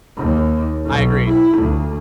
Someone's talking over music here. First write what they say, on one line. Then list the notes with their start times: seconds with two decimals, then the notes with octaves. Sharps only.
I agree,
0.17 D#2
0.85 B1
1.28 E4
1.57 D2